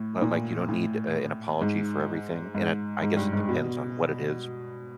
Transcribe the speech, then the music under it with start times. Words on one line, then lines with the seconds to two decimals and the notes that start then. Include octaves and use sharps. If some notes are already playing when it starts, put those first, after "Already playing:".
Li like, you don't need, eh, an apology for everything? And it I guess it depends on what it is.
Already playing: A2
0.22 A#2
0.69 A2
1.61 G#2
2.55 G#2
3.02 G#2
3.17 G2
3.33 G#2
3.49 B2